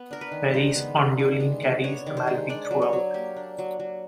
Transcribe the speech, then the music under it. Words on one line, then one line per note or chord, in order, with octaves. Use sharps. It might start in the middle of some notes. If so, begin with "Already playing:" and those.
Perrey's Ondioline carries the melody throughout.
Already playing: B3
D4 A#4
B4
D#3
G#3 C5
B3
D4
D#3
G#3
B3
D4 C#5
D#3
C5
G#3
D4 D5
F#3
C#5
F#3
A#3 G4
D4
F#3
F#3